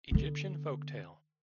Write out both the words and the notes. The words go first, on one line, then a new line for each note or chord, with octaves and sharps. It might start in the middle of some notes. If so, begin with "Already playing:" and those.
Egyptian folk tale.
D3 B3